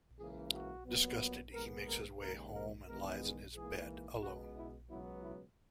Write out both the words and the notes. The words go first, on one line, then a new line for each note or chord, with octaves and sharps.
Disgusted, he makes his way home and lies in his bed, alone.
C#2 C#3 E3 A#3 G#4
F#4
A#2 F#3 B3
D#2 D#3 G#3 B3 A#4
A#4
D#2 C#3 G#3 A#4
A#4
E2 D#3 G#3 B3 A#4
G#4
G#2 E3 A#3 G#4
C#2 B2 G#3 B3 F#4
E4
C#2 B2 F#3 B3 E4
E4